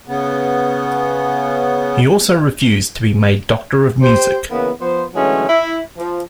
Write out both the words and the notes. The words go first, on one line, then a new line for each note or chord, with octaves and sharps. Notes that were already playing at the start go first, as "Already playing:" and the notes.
He also refused to be made doctor of music.
C#3 B3
G4 C5
C#3 E3 A#3 B3
F3 B3 C5
D3 E3 F#3 G#3 A3 C#4
E4
F3